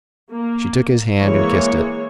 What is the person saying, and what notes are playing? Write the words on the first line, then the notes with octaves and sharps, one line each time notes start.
She took his hand and kissed it.
A#3
E3 G#3 A#3 C#5